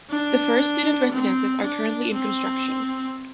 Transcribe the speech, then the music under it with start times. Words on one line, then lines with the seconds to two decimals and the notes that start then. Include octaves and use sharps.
The first student residences are currently in construction.
0.10 D4
1.11 C4
1.63 D4
2.14 C4